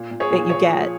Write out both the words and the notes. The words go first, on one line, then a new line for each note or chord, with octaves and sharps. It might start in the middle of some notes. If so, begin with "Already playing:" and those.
that you get.
Already playing: A#2
A#2
G#4 C#5
A#2
F3 G#4 C#5
F3